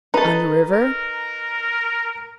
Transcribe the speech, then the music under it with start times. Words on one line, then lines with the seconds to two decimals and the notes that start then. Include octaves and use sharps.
"On the river?"
0.14 D#4 A4 B4 A#5
0.73 A#4